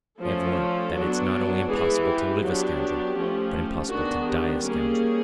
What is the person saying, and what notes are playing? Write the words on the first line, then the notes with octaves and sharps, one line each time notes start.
I have learnt that it's not only impossible to live a scoundrel, but impossible to die a scoundrel....
F3 A3 C#4 A4
F#3 B3 D4
E3 G#3 B3 G#4
G4
F#3 B3 D4
F3 A3 C#4
D#3 G#3 B3 D4 F#4
G4
G3 A#3 C#4 G#4